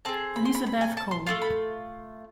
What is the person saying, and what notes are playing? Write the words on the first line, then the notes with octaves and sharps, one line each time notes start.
Elizabeth Cole.
C4 G#4 A5
B5
C6
B5
B5
G#5
A5
C6
A3 C4 F4 C6
B5